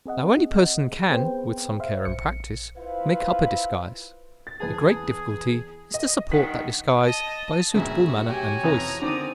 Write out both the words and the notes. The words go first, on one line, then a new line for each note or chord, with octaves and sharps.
Now, any person can, with some care and practice, make up a disguise; the great difficulty is to support that disguise by a suitable manner and voice.
C4 G#4 D#5 F#5
B3 C4 G#4 B4 C5 G5
C5 E5 F5
A#1 C#7
E4 F4 B4 C5 F5
A6
E2 G#4 B4 A5
D#5
G2 D#3 F#5 B6
D#5 A5
C#2 G2 A#2 F#4 G#4 E5
G4 C#5 G#5
F2 C3 E3 A#5
D3 D#3 C4 D5 D#6